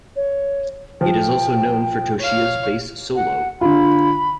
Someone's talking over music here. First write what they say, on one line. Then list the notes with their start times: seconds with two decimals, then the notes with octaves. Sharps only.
It is also known for Toshiya's bass solo.
0.16 C#5
1.01 F3 G5
2.19 C#5 F5
3.15 F#5
3.61 D3 F4 B5